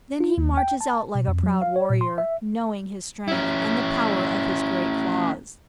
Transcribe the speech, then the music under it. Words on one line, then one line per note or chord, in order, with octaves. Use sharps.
Then he marches out like a proud warrior, knowing his strength, and the power of his great claws.
F4
D#2
G5
A5
B2
F2
F#3
F5
C#5
A#2
C6
E5
C#4 E4